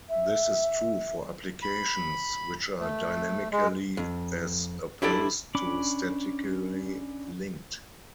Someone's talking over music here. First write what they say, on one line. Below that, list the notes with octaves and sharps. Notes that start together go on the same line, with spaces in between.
This is true for applications which are dynamically as opposed to statically linked.
E5
B5
A3
G#3
F2
D4 E4 G4 A4 D5
C#4 D4 B5 D6